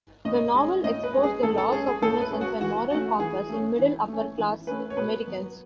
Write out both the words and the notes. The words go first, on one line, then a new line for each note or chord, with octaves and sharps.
The novel explores the loss of innocence and moral compass in middle-upper class Americans.
A2 D#5
G#3 C#4
A2 D#5
B4
G#3 C#4
G#4
A2 A4
A4
G#3 C#4 G#4
G#4
A2 A4
B4
G#3 C#4
F#4
E3 F#4
A3 C#4 F#4
E3 G#4
A3 C#4
E3
A3 C#4
E3
A3 C#4 B4
C#5
B2 B4
F#3 B3